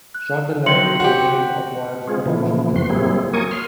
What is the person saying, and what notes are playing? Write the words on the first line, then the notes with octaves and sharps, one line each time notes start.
ShondaLand is the name of Rhimes's production company.
F#6
D#3 F#3 C6 C#7 F#7
F#4 G4
G#3 C4 F4 G#4
A#2 C#3 E3 F3 A3 B3
F#2 F#4 C6
F#3 G3 A#3 C4 E4 G#4
F#3 A#3 A#4 G#5 C#6 D#6
C6 F6